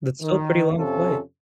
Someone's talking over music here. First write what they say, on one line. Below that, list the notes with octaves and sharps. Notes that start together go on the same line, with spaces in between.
That's still a pretty long flight.
D#3
F2 C3 C#4 F4 A4